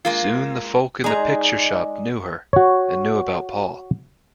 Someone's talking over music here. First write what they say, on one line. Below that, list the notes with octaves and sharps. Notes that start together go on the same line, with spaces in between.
Soon the folk in the picture-shop knew her, and knew about Paul.
G#3 A#3 F4
G#3 D#4 G#4 D5 A#5
F#4 C#5